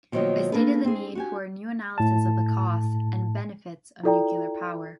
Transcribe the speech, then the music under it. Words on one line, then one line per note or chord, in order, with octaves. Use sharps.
I stated the need for a new analysis of the costs and benefits of nuclear power.
B2 D#3 F3 F#3 A#3 C4
A#3 D4 G#4 A4 B4
C4 G#4
F#4 G4 G#5
A2 A5
E4 F4 A4 D5 G5 A#5